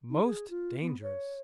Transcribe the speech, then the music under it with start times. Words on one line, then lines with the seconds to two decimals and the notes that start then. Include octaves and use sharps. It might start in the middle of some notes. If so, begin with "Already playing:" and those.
Most dangerous!
0.10 D#4
0.24 G#4
0.50 F4
0.81 B3
1.02 C#5